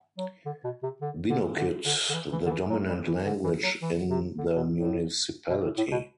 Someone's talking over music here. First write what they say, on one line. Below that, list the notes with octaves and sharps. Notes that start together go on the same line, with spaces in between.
Binukid the dominant language in the municipality.
F#3
D3
B2
C3
D3
D3
D3
D3
D3
E3
E3
D3
E3
F#3
G3
E3
D3
E3
F#3
E3
C3
D3
B2
A2
B2
A2
A2
B2